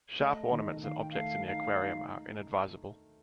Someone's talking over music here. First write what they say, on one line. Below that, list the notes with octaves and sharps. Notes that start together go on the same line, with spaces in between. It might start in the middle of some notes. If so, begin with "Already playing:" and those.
Sharp ornaments and objects in the aquarium are inadvisable.
A3 D#5
D#3
D#3 F5
G5
A3 F5
D#4 F5
D#4